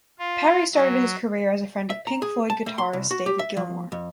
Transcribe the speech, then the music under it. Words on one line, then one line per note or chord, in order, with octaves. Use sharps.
Parry started his career as a friend of Pink Floyd guitarist David Gilmour.
F4
F#3
E5
A#5
G#4
A5
A3
C6
C2
F#4
G4
E5
F3
F2